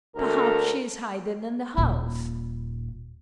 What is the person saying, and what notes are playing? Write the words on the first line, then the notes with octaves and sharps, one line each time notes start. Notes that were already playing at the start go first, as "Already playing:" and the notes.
"Perhaps she is hiding in the house."
D2 A4 A#4
D#1 A#2